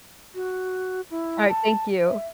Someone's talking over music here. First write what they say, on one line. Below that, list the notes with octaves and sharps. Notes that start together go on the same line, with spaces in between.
Alright, thank you.
F#4
E4
A5
E5